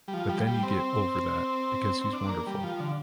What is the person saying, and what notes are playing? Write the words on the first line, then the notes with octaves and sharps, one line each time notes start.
But then you get over that, because he's wonderful.
G3
F3
G3
G3
C4
C4
D4
A#3
G3
F3
D3